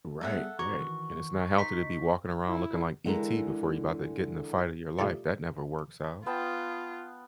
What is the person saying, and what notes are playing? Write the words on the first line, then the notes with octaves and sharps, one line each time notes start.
Right, right, and it's not healthy to be walking around looking like ET before you 'bout to get in the fight of your life, that never works out.
G3 B3 G#4 A4 E5 F#5
F#4 A#5 C#6 D6 G#6
D#3 E3
D#4 D#5 C6 B6
E4
D3 E3 G#3 A4 A#4
G3 A3 D#4 F4 A4
B3 F4 G5 A5